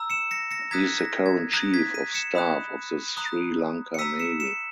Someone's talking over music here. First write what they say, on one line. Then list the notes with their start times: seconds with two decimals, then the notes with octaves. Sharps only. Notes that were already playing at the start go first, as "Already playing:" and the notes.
He is the current Chief of Staff of the Sri Lanka Navy.
Already playing: A#5 E6
0.10 C#7 E7
0.31 A#6 C#7
0.51 A#6 C#7
0.71 A#5 D#6 F#6 G#6 B6
0.99 A#6
1.26 G#6
1.53 A#5 D#6 F#6 A#6
1.74 G#6 B6
1.94 B6 D#7
2.14 C#7 E7
2.35 B5 D#6 F#6
3.17 A#5 D#6 F#6
3.94 C#7
3.99 A#5 E6 B6 D#7
4.19 C#7 E7
4.40 C#7 E7